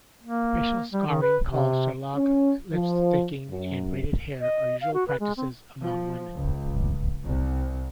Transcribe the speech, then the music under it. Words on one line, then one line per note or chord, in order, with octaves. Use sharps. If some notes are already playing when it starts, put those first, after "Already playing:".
Facial scarring called Shoulokh, lips sticking, and braided hair are usual practices among women.
A#3
G3
D#3
B4
C3
C#4
F3
F#2
D#5
F5
F#4
B4
G#3
C4
F3
C#2
C2